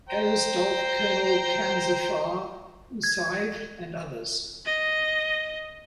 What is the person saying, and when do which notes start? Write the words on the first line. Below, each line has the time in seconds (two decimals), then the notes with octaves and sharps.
Aristov, Colonel Kanzafar Usaev, and others.
0.09 C5 G5 A#5
3.03 G#6
4.66 D#5